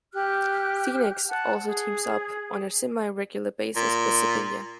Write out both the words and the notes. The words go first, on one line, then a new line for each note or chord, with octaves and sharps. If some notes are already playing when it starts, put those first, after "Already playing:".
Phenix also teams up on a semi-regular basis with Sibilla.
G4 F6 F#6
F#5 A5
G#4
A#2